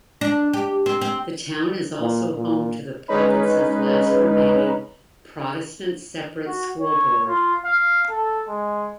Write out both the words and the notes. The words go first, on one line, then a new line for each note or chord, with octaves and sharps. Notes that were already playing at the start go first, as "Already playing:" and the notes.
The town is also home to the province's last remaining Protestant Separate school board.
D4
G4
C4
C4
A#2
A#2
G#3 C#4 D#4 B4
F#4
C#5
F4
F5
A4
G#3